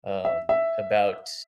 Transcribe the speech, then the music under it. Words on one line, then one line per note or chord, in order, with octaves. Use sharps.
um, about
E5
E5